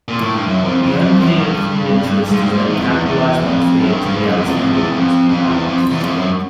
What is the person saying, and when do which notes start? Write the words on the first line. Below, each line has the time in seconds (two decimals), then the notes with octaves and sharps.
The unpaid accrued interest is then capitalized monthly into the outstanding principal balance.
0.08 A#2
0.21 A2
0.33 G2
0.46 F#2
0.64 F2
0.83 F2
1.01 F2
1.20 F#2
1.38 G2
2.31 G#2
2.41 G2
2.50 G#2
2.69 E2
2.79 F2
2.90 E2
3.06 E2
3.44 F2
3.80 F#2
3.92 G2
4.06 G2
4.18 G#2
4.27 F#2
4.37 F2
4.45 E2
4.55 F2
4.73 E2
4.92 F2
5.29 F2
5.48 E2
5.66 F2
5.91 E2
6.03 F2
6.16 F#2